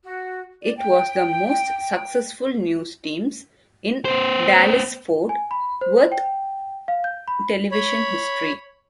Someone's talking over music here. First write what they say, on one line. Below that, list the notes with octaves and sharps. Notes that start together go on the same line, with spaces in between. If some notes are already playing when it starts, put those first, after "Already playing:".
It was the most successful news teams in Dallas-Fort Worth television history.
F#4
D5
G5
B3 C5
G#5
B5
C5
G5
F5
G6
B5
C#5 B5